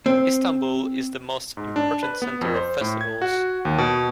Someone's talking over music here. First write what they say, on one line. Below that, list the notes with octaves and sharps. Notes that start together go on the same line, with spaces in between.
Istanbul is the most important center of festivals.
C4
G#2
D4
B4
B3
F2
C5
A2
G#6
F#4
D#2
B2